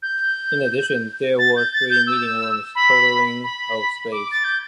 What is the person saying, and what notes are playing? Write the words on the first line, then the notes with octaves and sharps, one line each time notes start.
In addition, there were three meeting rooms, totaling of space.
G6
A6
G6
A6
G6
E6
B5
B5
D6
A6
G6